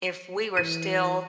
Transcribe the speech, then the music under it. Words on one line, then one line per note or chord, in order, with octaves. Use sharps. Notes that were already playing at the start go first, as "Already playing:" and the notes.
if we were still
E3 D#7